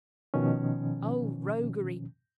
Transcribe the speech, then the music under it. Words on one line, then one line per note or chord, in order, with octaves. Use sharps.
Oh roguery!
B2 D#3 F3 C#4